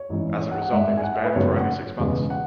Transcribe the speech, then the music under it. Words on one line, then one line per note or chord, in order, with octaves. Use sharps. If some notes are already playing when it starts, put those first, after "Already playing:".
As a result he was banned for only six months.
Already playing: C#5
G#1 G#2 E3 C#4 E4
C#5
F#5
F#5
G#1 G#2 G#3 E5
G#5
F#5
E5
B4
G#1 F#2 C#3 F#3 B3 C#5
F#5
E1 E2 C#3 G#3 B3
F#5